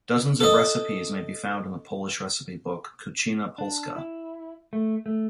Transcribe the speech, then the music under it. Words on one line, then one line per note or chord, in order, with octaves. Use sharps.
Dozens of recipes may be found in the Polish recipe book, "Kuchnia Polska".
A4 D#5
D4
E4
A3
A3